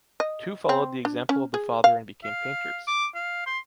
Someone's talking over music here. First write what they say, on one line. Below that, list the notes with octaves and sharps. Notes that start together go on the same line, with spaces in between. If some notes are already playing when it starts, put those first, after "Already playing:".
Two followed the example of the father and became painters.
D#5
C4
D4
C#4
G#4
F5
F5
D6
F5
C6